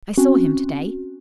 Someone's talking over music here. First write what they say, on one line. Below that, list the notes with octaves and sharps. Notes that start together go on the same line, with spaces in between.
"I saw him to-day."
C4 C#4 F#4